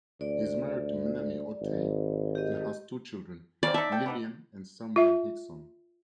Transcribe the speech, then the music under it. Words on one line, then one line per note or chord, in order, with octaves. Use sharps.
He is married to Melanie Otey and has two children: Lillian and Samuel Hixon.
D2 D5
G#1
G4 D#5
C#3 A#3 C4 D5
D#4 E5 A5
A4 G5
B3 D4 D#4
F4 E5